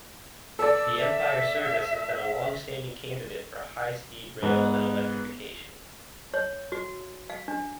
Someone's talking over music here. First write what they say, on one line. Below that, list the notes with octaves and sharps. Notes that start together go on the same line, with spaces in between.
The Empire Service has been a long-standing candidate for high-speed rail and electrification.
A4 D5 E6
E5
G#2 B3
C#5
F#4
F5
D4